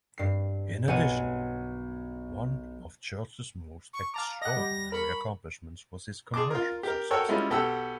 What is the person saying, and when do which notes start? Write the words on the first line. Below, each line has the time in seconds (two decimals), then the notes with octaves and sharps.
In addition, one of Church's most extraordinary accomplishments was his commercial success.
0.18 G2 C7
0.88 B1 F#5 G#5 D#7
3.93 C#6
4.14 F5 A5 A#5 D6
4.42 D#5 F#5 A#6
4.57 G3
4.92 A#4 B5 C#6
6.34 G#4 A5 C6 D6
6.50 F4 A#4
6.83 G4 A#4
7.10 F#4 A4 A#4 C#5 G5 E6
7.29 G3 G#3 C#4 E4 F4
7.50 B1 G4 A4 F#5 G5 E6